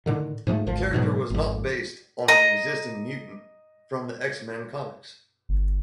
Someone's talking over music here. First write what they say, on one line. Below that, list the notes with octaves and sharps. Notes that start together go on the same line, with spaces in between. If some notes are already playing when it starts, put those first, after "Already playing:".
The character was not based on an existing mutant from the X-Men comics.
A2 D3 D#3
G#2 F3 G#3 A3
G#1 D2 F3
G#2 B2 E3 F#3
G#1 F2
D#5 A#5
G1